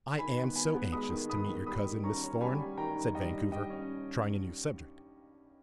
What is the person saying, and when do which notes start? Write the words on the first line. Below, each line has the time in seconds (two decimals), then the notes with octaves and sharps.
"I am so anxious to meet your cousin, Miss Thorn," said Vancouver, trying a new subject.
0.19 D#3 G#5 B5
0.37 B3
0.55 B3 G#5 B5
0.74 B3
0.92 G#3 B5 D#6
1.11 D#3
1.30 B3 B5 D#6
1.48 D#3
1.66 G3 B5 D#6
1.85 D#3
2.04 C#4 A#5 C#6
2.22 C#4
2.41 G3 G#5 B5
2.59 G3
2.78 D#3 G5 A#5
2.96 D#3
3.15 G3 D#5 G5
3.33 G2
3.52 G3 D#5 G5
3.70 C#4